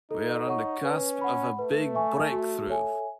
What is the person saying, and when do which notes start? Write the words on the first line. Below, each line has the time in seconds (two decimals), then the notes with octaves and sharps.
We are on the cusp of a big breakthrough.
0.11 D#4 A4
0.47 C#5 F#5 C#6
0.84 C#4 B4
1.21 F#5 B5
1.58 A3 B4
1.95 E5 G#5 C#6
2.32 F#4
2.70 A4 C#5 E5 G#5